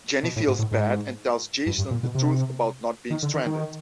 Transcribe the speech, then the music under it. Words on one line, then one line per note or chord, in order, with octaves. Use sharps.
Jenny feels bad and tells Jason the truth about not being stranded.
B2
A2
G#2
A2
G#2
G2
G2
A#2
B2
C3
D#3
D3
D#3
D#3